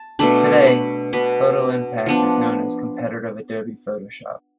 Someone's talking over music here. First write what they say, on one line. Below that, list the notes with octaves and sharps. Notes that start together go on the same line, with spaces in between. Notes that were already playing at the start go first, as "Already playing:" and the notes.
Today, PhotoImpact is known as a competitor of Adobe Photoshop.
Already playing: A5
B2 A3 D4 B5
B5
B2 B3 D4 B5
F3 B3 D4